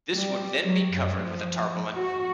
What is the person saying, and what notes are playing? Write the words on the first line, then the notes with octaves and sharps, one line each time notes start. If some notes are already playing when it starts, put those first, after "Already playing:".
This would then be covered with a tarpaulin.
G3
F#3
F#2
F3
F#4